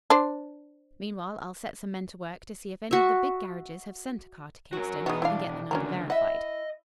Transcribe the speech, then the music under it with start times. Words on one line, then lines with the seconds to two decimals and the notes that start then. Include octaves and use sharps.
Meanwhile, I'll set some men to work to see if any of the big garages have sent a car to Kingston, and get the number verified.
0.10 D4 C5
2.91 F#4 E5
4.73 F#3 F#4 A#4
5.06 B2 E3 G#3 B3 D#4 F#4
5.22 A2 D4 E4 F5
5.71 C#2 D3 C#4 F#4 A#4
6.10 E4 D#5 E5 F#5